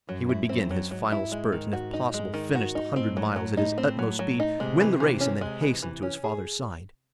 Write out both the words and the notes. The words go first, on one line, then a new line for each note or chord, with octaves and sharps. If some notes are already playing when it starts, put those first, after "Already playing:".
He would begin his final spurt, and if possible finish the hundred miles at his utmost speed, win the race and then hasten to his father's side.
F#2 F#3
E4
F#2 C4
F#3
G#2 F#3
E4
G#3
D#3
F#4
D#4
G#3
D#3
F#4
D#4
A2 C4
F#3
F#3
D#4
C4
F#3
F#3
D#4
C3 G#3
E3
E3
C#4
C3 G#3
E3
E3
C#4
G#4